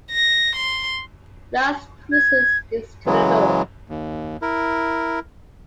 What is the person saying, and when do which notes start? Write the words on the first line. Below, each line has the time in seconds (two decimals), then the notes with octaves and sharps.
Las Cruces is to the north.
0.11 A#6
0.56 C6
2.12 G#6
3.06 C#3 E3 F#3 G#3
3.89 D#2
4.42 E4 A#4